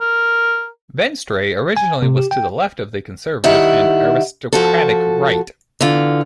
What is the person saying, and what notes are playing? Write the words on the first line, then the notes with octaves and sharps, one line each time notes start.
Venstre originally was to the left of the conservative and aristocratic right.
A#4
G#5
C3
G4
G5
D#3 G3 E4 E5 F#5
F3 F#4 A4
D3 E3 F4